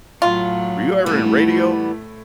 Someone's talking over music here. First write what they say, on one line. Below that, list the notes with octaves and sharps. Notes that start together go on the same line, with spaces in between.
were you ever in radio?"
A2 F#3 F4
A2 E3 G3 A3 B3